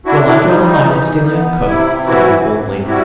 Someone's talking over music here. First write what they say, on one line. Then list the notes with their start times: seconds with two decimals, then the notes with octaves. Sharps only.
"Well, I draw the line at stealing a cook," said I, coldly.
0.06 D4 E4 F#4
0.25 E4
0.45 G3 D#4
0.66 D#4
0.85 E3
1.26 B3
1.66 C3 E4
2.06 E3 E4 F#4
2.46 C3
2.86 G3 E4 F#4